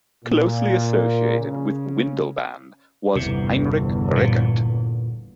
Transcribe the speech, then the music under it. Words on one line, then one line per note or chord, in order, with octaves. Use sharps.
Closely associated with Windelband was Heinrich Rickert.
A#2
C#3
G1 E2 C3
A#2